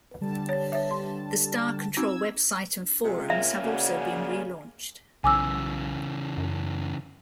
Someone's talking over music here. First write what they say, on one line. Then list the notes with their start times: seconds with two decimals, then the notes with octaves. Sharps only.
The Star Control website and forums have also been relaunched.
0.21 D3 G3 A5
0.49 C#5
0.72 C#5 E5
0.91 C6
1.97 C4 D#4 F#4 E6 G#6
3.02 C3 G#3 F4
3.30 A#3 C#4 E5
3.63 C#3 F#4 D5
5.24 B1 C#3 E3 G#5 D6 E6
6.37 F#2